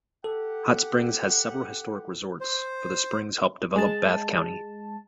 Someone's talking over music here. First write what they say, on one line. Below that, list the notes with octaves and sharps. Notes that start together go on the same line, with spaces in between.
Hot Springs has several historic resorts, for the springs helped develop Bath County.
G4 A4 F#5
C5
G#3 A5